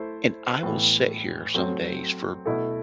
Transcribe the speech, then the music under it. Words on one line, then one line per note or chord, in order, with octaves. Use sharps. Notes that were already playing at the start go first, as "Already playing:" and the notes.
and I will sit here some days, for
Already playing: A3 E4 A4 C5
A2 E3 B3
F#3 A3 C4
B2 A3 E4 A4